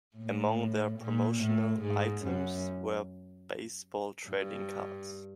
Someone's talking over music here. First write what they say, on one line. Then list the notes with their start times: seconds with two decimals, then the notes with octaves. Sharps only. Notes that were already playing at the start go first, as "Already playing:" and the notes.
Among their promotional items were baseball trading cards.
0.17 A2
0.99 A#2
1.41 A2
1.82 G#2
2.23 F#2
4.28 G2